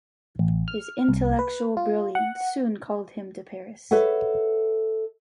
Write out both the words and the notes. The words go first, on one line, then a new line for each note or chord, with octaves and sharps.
His intellectual brilliance soon called him to Paris.
A1
F6
C2
B4
F4
F#5
A4 B4 C#5 E5 F#5